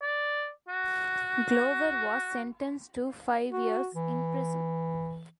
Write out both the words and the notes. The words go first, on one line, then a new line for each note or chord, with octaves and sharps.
Glover was sentenced to five years in prison.
D5
F#4
F#4
E3